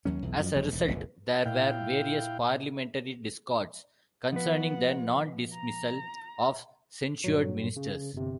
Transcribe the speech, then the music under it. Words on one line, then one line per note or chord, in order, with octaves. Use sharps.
As a result there were various parliamentary discords concerning the non-dismissal of censured ministers.
D#2 F#3 C#4
B1 E2
F#2 F3
F#1 F2 C#3 F#3
E1 G#2
F1 A#1 D3
A#2 E4 F5 G5
F3 B3 B4 F#5
A#5
G2 A#2 F#3
C#3
G1 C3